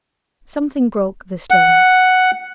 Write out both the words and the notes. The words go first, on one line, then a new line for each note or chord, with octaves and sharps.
Something broke the stillness.
F#5